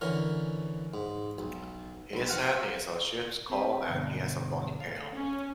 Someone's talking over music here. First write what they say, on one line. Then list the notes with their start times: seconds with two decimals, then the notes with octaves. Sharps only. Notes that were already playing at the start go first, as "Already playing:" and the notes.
His head is a sheep skull and he has a bony tail.
0.01 D3 E3 C#4 A#4
0.94 G#2
1.38 B1
2.13 B1 B5
2.29 C4 F5 F#5
3.50 C4 G4 B4
3.88 G2 B2 D3
4.80 A3 F5
5.12 C#4